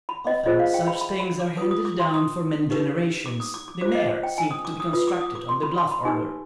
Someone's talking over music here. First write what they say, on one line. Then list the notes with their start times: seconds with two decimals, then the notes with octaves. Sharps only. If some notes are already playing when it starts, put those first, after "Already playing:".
Often such things are handed down for many generations; the Mayor seemed to be constructed on the bluff order.
0.09 B5
0.27 D#5
0.46 F4 G#4 C5 D#5
0.59 F5
0.74 G5
0.87 B5
1.01 B5
1.20 B5
1.40 D6
1.57 F4 B4 D#6
1.71 D#6
1.85 D6
2.00 C6
2.14 D#6
2.70 D#4 G4 B4
3.26 D6
3.40 D#6
3.54 D6
3.68 D6
3.81 F4 C5 D6
3.95 D#5
4.23 G5
4.38 G#5
4.51 D#6
4.65 D6
4.80 D#6
4.93 F4 B4 D#6
5.08 D6
5.21 D#6
5.35 D6
5.49 C6
5.63 B5
5.78 C6
5.91 B5
6.05 D#4 G4 B4 G#5